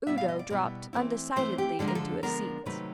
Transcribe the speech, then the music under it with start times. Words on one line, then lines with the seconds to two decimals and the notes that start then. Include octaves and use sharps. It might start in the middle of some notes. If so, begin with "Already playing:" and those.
Udo dropped undecidedly into a seat.
0.07 B2 G3 B3 E4 E5
0.18 F5
0.28 D#5
0.39 D5
0.50 B2 G3 B3 E4
0.93 E3 A3 C4 E4
1.36 E3 A3 C4 E4 C5
1.58 G4
1.79 D3 F3 G#3 B3 D4 A4
1.88 A#4
1.95 A4
2.23 D3 F3 G#3 B3 D4 A#4
2.66 C3 D#3 F#3 A3 B4